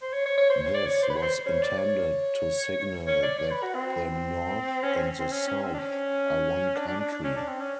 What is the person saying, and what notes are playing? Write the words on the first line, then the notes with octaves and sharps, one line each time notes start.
This was intended to signal that the North and the South are one country.
C5
C#5
C#5
C#5
C5
C#5
D5
C#5
C5
B4
C#5
C5
C#5
D5
C#5
C#5
D5
C#5
B4
F#4
C4
C#4
C4
C4
C#4
C#4
C4
D4
C#4
D4
D4
D4
D4
C#4
D4
C4
C#4